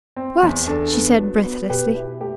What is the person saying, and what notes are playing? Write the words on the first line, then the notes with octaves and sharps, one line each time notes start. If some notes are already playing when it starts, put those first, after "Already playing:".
"What?" she said breathlessly.
C4
E2
D4 A4
B3
F#3
B3
B2 G4 B4
E4
A3 G4